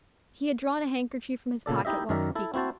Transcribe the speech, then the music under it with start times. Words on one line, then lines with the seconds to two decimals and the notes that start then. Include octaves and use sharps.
He had drawn a handkerchief from his pocket while speaking.
1.66 A#2 C#3 A4 D5
1.85 D#4 E4 G4 D#5 E5
2.09 F#2 D#3 A#4 D5 E5
2.35 E4 A4
2.54 C4 E4 F#4 C5 A5